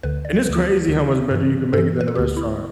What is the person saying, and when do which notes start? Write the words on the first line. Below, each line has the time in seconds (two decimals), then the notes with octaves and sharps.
and it's crazy how much better you can make it than a restaurant
0.03 D2 D3 B4
0.25 D5
0.46 D2 D3 B4
0.88 D2 D3
1.31 G2 E3
1.73 G2 E3 A4
2.01 B4
2.08 A4
2.15 D2 D3 G4
2.37 E4